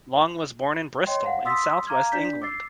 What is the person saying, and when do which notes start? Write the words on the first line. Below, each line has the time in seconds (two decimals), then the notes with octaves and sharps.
Long was born in Bristol, in south-west England.
1.06 C#5 D#5 G5 C6
1.25 F5 F#5
1.45 C6 D#6 E6 A6 B6
1.87 F5 A#5 D6 F6 G#6
2.12 D4 D5 G6 B6
2.42 D6 E6 A6 C7